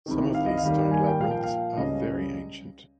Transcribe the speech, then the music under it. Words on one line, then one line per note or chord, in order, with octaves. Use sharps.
Some of these stone labyrinths are very ancient.
C2 C3 D#3
F5
D#5
F5
D#2 D#3 G3 A#3
G#5
G5
A#2 F3 A#3 F5
G5
F5
C#2 C#3 G3 C#4 D#5